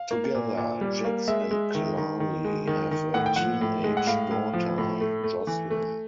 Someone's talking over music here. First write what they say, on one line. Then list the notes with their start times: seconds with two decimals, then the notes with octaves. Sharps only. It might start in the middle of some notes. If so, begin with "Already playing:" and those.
Together, Jax and Carly have a teenage daughter, Josslyn.
Already playing: F5
0.11 A#3
0.34 A#2
0.57 A#2
0.81 G3
1.05 A#3
1.28 G#3 E5
1.51 G#3
1.75 D#3
1.98 D#3
2.20 D#3
2.44 G#3
2.67 D#3
2.91 D#3
3.14 A2 F#5
3.26 G5
3.36 F3 F#5
3.61 A2
3.84 G#3
3.97 F#5
4.07 A2 F5
4.31 A2
4.53 F3
4.78 A2
5.01 A3
5.24 A3
5.47 E3
5.71 A3